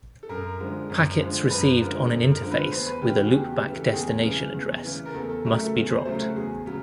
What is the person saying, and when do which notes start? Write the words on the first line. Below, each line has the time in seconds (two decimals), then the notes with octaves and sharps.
Packets received on an interface with a loopback destination address must be dropped.
0.23 A4
0.29 F#2 A#4
0.60 D3 F3 G#3
0.90 F#2
1.20 D3 F3 G#3
1.50 F#2 B4
1.80 D3 F3 G#3 A#4
2.11 F#2 A4
2.31 A#4
2.41 D3 F3 G#3
2.51 B4
2.71 E2 C5
2.87 B4
3.02 C#3 E3 G4
3.17 F#4
3.25 G#4
3.32 E2 G4
3.52 G4
3.63 C#3 E3
3.73 A4
3.86 G4
3.93 E2 G#4
4.23 C#3 E3
4.54 E2
4.84 C#3 E3
5.06 A#4
5.14 E2 A4
5.29 A4
5.45 C#3 F#3 A3 A#4
5.60 A4
5.75 E2
5.90 C5
6.05 C#3 F#3 A3 C5
6.21 F#4
6.36 E2 G#4
6.66 C#3 F#3